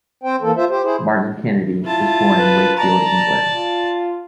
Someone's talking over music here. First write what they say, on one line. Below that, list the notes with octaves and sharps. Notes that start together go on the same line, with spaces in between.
Martin Kennedy was born in Wakefield, England.
C4 C5 G5
E3 A#3 A4
F4 C5 E5
G4 C5
E4 G#4 C5
E4 F4 A5
B4
D5 A5 A#5
F4